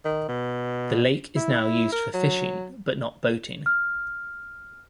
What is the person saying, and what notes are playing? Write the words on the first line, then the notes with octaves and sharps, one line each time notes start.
The lake is now used for fishing, but not boating.
D#3
B2
E4
A#4
F#3
F6